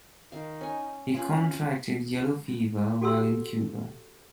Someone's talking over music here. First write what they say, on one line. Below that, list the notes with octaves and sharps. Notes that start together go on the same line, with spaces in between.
He contracted yellow fever while in Cuba.
D#3 D#4 F5
C#4 G#5
C#4 F4 G#4 B4
F#4 G4 A4 F#5 C6 E6